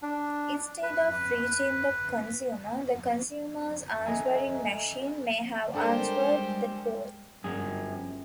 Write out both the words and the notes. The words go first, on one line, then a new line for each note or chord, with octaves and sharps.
Instead of reaching the consumer, the consumer's answering machine may have answered the call.
D4
B4
A4 D#5 E5 G#5 A#5
G3 G#3 D4 G4 A4 A#4 C5
G1 F#2 G#4